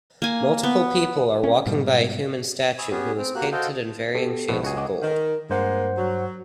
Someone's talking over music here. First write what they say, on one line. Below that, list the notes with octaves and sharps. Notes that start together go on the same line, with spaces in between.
Multiple people are walking by a human statue, who is painted in varying shades of gold.
A#3 G#5
B3
C4 C#4
G#2 B2 G3
G#5 B5 C#6 D#6 E6
B3 C#4 G4 G#4
C4
A#3 F#4 G4 F#6
F#4 A4 C5 D#5 F5 G5
B3 G4 A4
A#1 B2
C#2 F#4 G#4
D#5 F#5 D6
D#3
G2 G#3 A#3 C5 F#5
F#3